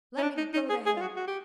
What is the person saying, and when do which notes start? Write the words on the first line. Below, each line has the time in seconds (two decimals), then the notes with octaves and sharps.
Let me go to hell!
0.18 C#4
0.23 D4
0.37 D#4
0.53 D#4
0.69 G#4
0.86 G#4
0.97 F4
1.01 F#4
1.17 F#4
1.28 G4